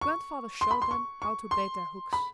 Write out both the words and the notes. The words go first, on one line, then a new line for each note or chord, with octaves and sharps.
Grandfather showed them how to bait their hooks.
C#6
C6
B5
C6
C#6
C#6
C6
B5